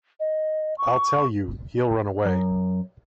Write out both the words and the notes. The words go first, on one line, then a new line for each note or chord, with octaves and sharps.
I'll tell you, he'll run away.
D#5
C#6
F#2